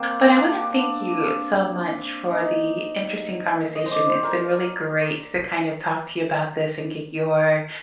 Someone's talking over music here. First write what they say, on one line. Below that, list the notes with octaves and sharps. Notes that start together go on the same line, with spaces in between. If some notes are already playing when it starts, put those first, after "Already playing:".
But I wanna thank you so much for the interesting conversation, it’s been really great to kind of talk to you about this and get your
Already playing: A#3 C4
D4
D#4
D#5
C5
D5
C5
A#4